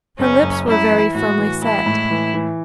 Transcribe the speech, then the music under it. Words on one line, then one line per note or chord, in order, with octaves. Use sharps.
Her lips were very firmly set.
F#1 C#4
F#2
F#2 E4
E3
A2 F#4
E3
G#3 E4
A2
E3
E3